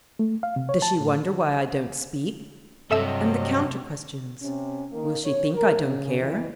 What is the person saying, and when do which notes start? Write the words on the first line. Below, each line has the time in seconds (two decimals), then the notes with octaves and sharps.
Does she wonder why I don't speak? and the counter-questions--Will she think I don't care?
0.19 A3
0.43 F5
0.56 C3
0.69 C#5
0.82 A5
1.00 A2
2.91 G2 C3 F#3 A4 D#5 E5 E6
4.42 C3 C#4
4.92 D#3 A#3
5.24 E2 C#5
5.53 A#4
5.84 C#3
6.19 F2 E3